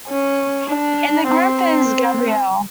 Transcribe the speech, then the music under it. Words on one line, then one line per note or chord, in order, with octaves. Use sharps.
In the group is Gabrielle.
C#4
D4
C4